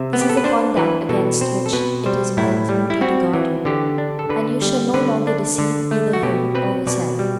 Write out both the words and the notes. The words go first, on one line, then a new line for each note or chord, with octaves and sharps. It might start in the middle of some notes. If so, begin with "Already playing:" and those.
This is a conduct against which it is my duty to guard you, and you shall no longer deceive either him or yourself.
Already playing: C3 E5
B3
G4
A4
B4
D4 C5
E3 B4
B2 A4
C4 C5
A4
B2 B4
G3 C5
A2 E4
G3
E4
C4 F#4
E3
D3 G4
D4
A4
D3 B4
G3
D3 B4
D4
D3
A3
F#4
B2 G4
C4 B4
B2 D5
G3